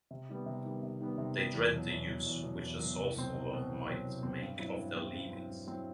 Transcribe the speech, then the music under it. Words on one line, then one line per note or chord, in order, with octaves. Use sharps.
They dread the use which a sorcerer might make of their leavings.
C3
D#3 G3 B3
C3
D#3 G3 B3
C3
D#3 G3 B3
C3
D#3 G3 B3
E2
B2 F#3
E2
B2 F#3
E2
B2 F#3
E2
B2 F#3
C2
B2 F#3 C4
C2
B2 F#3 C4
C2
B2 F#3 C4
C2
B2 F#3 C4
G2
F#3 C4 E4
G2
F#3 C4 E4
G2
F#3 C4 E4
G2
F#3 C4 E4